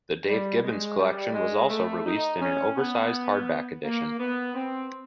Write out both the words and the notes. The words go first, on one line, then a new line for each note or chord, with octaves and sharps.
The Dave Gibbons Collection was also released in an oversized hardback edition.
G3
G#3
G3
G#3
A3
D#4
C#4
B3
A#3
B3
C4